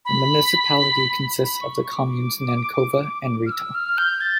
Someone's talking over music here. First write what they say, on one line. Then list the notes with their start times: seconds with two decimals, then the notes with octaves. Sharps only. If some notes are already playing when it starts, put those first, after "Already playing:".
The municipality consists of the communes Nancova and Rito.
0.05 B5
1.44 B5
1.61 C#6
1.78 C#6
1.96 D6
3.46 F6
3.52 E6
3.75 F6
3.98 G6
4.21 A6